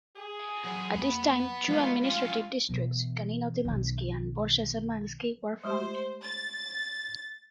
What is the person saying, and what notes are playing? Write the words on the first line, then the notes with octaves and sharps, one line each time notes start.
At this time, two administrative districts, Canino-Timansky and Bolshezemelsky were founded.
G#4
F#3 G#3
F2 A#3 B3 B5
B2 D#3 F3 G#3 A3 F4
G2 C#4 F4
B2 E3
B1 D#3
G#3 A3 G4 C5
A6